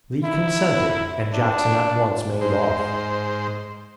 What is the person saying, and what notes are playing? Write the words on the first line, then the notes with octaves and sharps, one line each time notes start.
Lee consented, and Jackson at once made off.
E4
D4
G#2 C5